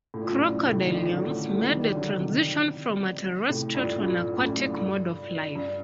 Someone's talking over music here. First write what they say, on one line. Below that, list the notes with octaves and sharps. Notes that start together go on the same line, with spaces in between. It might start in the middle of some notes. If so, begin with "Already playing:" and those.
Crocodilians made the transition from a terrestrial to an aquatic mode of life.
A2
A#2
F#2 A2
G2 A#2
A2 C3
D#3
A#2 D3
D3 F#3
F#3 A3
F#3 A3
D#3 G3
G3
D3 F#3
C3 D#3
A2 C3
G2 A#2
G2 A#2
F#2 A2
G2
G2